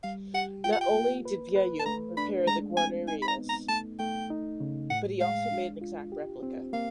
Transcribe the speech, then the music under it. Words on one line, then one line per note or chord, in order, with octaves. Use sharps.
Not only did Vuillaume repair the Guarnerius, but he also made an exact replica.
G3 F5
G4 F#5
F4 G5
F#5
G5
A#3
B4
B4
A5
A3 A#5
D4 B5
G#3 A#5
C4 G#5
D#4 G#5
B5
A#5
B3
A#5
A3 A5
A3 G5
D#4
C#3
A2 F#5
G#3 F5
D4
F4
G4
C4
A#3 F5